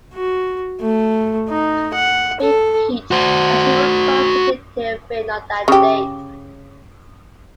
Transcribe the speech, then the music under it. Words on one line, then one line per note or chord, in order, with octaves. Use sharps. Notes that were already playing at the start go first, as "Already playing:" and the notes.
"Big Pete," as he was called, predicted rain on that date.
F#4
A3
D#4
F#5
A4
F#4 C5
C#3 G4